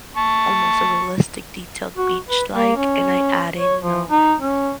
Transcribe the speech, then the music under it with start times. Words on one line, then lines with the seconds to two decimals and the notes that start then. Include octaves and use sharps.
almost a realistic detailed beach, like, and I add in, you know
0.17 A5 C#6
1.97 F#4
2.29 B4
2.52 A#3
2.77 C#4
3.58 C#5
3.81 F3
4.10 D#4
4.41 C#4